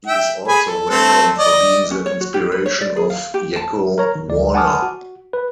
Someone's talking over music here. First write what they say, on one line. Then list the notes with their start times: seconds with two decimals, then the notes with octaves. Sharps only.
He is also well known for being the inspiration of Yakko Warner.
0.07 E5 G5
0.48 G#4 G#5 B5
0.67 A4
0.90 A3 C4 A4
1.39 D5 D#5
1.91 C#4
2.06 C#5
2.21 F#4
2.34 G4
2.52 B4
2.66 C#5
2.81 D5
2.96 G#4
3.10 F5
3.34 G4
3.56 A5
3.98 A#4 C#5 A#5
4.15 D#3
4.29 D2 D5
4.54 F#5 G#5 A5 D6 D#6 F6
4.82 F#4
5.33 B4